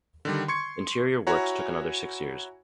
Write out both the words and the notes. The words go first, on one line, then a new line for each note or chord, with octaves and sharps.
Interior works took another six years.
D3 D#3 G3
C6 C#6 G#6 C#7
E4 F#4 C#5 F#5 G#5 A#5